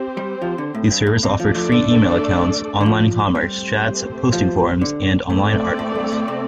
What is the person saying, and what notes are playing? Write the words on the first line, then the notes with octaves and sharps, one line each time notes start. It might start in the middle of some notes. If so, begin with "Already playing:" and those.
The service offered free email accounts, online commerce, chats, posting forums, and online articles.
Already playing: C4 G4 C5
G3
F3
D3
A2
G2
A2
C3
F3 A3 D4 A4 D5
F3
D3
D3
F3
G3 A3 C4 G4 C5
F3
D3
A2 A3 C4 A4 D5
A2
G2
A2
C3